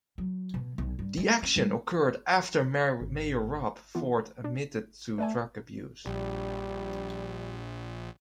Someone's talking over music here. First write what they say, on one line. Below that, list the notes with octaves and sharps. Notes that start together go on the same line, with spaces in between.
The action occurred after Mayor Rob Ford admitted to drug abuse.
F#3
B2
B1
G2
G#3
C#4
G3
G#1
E3 B3 F4
D4
A3 B4 D5 G#5
A#1 G3